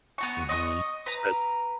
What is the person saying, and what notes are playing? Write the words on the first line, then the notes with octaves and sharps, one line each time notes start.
Mhm. Said
B3 F#4 C#6
D#5 C#6 D#6
B4 A#5